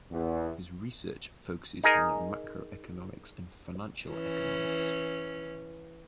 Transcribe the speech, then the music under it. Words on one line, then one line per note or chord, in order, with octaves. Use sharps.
His research focuses on macroeconomics and financial economics.
E2
D#4 G#4 A#4 D#5
E3 C#4